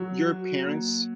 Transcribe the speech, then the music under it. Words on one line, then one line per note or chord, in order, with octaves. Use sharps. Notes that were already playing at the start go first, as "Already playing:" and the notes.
your parents
Already playing: F#3
F#4
A#3